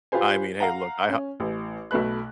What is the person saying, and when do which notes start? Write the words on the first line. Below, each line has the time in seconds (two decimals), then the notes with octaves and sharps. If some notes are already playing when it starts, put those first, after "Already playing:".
I mean, hey look, I ho
0.12 F4 G4 B4 C5 G#5
0.60 F5 F#5 A#5
1.08 C#4
1.40 A1
1.91 B1 B2 A3 B4 F#6